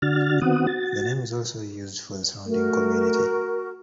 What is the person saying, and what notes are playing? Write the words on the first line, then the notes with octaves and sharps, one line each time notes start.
The name is also used for the surrounding community.
D3 D4 F#4 F6 A6
D#3 B3 C4 F#4 F#5 D#6
F#4 A6
A3 F#4 A#4